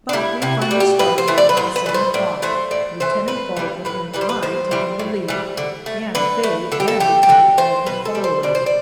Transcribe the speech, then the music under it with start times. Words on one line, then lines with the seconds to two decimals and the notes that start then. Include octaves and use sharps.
But we finally started, about seven o'clock, Lieutenant Baldwin and I taking the lead, and Faye and Lieutenant Alden following.
0.09 D4
0.13 G3 E4
0.42 C3 E4
0.62 F#4
0.71 G3
0.80 G4
0.99 A2 B4
1.18 C5
1.28 E3 A3
1.38 D5
1.49 B4
1.57 A2 C5
1.76 B4
1.86 E3 A3
1.94 C5
2.14 A2 D5
2.42 E3 A3 C5
2.71 A2 D5
3.00 E3 A3 C5
3.28 A2 B4
3.57 E3 G3
3.85 A2 B4
4.13 E3 G3 B4
4.21 C5
4.29 B4
4.43 A2 C5
4.71 E3 G3
4.99 A2
5.28 E3 G3
5.57 D3
5.86 A3
6.15 D3 B4
6.43 A3
6.72 D3 A4
6.80 G4
6.88 A4
7.00 A3 G4
7.23 G4
7.29 D3 F#4
7.58 A3 C5
7.86 B2 B4
8.05 A4
8.15 G3
8.24 C5
8.43 B2 D5
8.55 C5
8.66 D5